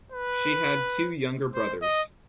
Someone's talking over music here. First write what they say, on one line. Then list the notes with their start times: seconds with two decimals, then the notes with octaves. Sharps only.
She had two younger brothers.
0.12 B4
1.54 C5
1.82 D#5